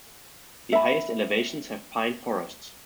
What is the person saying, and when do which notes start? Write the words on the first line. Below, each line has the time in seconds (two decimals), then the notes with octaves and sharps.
The highest elevations have pine forests.
0.73 E5 B5